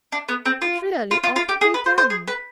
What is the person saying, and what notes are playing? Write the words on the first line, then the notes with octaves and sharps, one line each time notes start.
It really ought to be done.
D4
B3
C4
F4
F4
F4
F4
G4
G#4
B4
C5
C5
G#4
B4